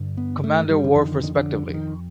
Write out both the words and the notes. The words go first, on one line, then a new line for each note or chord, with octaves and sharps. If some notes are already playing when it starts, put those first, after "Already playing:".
Commander Worf respectively.
Already playing: G2 D3
B3
A3
G3
D3
F2 D3 D#3
D#3
D3
D3
D#3